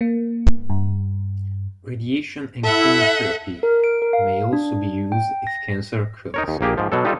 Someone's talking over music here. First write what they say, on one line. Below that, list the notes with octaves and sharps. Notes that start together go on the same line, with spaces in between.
Radiation and chemotherapy may also be used if cancer occurs.
A#3
G2
E4 A4 E5 F#5
A#4
D7
A#4
F5
D4
G5
A#6
D#4 A#4 C#5
D#2
A#1 A#3 G4 G#4
G#2 F3
B2 F#3 A4
G3 D#4 F4 A4